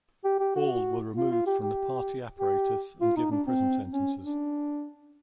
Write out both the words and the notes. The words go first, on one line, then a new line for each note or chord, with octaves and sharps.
All were removed from the Party apparatus and given prison sentences.
G4
G4
F#4
F4
F4
G4
G4
G4
F4
D#4
D4
C4
C#4
D4